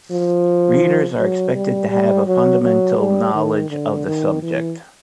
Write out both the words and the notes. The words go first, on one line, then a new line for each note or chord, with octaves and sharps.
Readers are expected to have a fundamental knowledge of the subject.
F3
F#3
G3
G3
F#3
F#3
G3
D#3
D3
D#3
E3